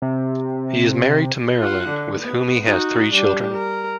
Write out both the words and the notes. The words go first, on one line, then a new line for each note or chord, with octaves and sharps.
He is married to Marilyn, with whom he has three children.
C3
F4 F#5
D3
B3
D#4 F#4
G3 D4
A#4